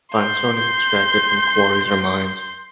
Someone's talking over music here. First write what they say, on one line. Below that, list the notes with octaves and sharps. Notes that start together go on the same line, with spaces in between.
Limestone is extracted from quarries or mines.
C6 G6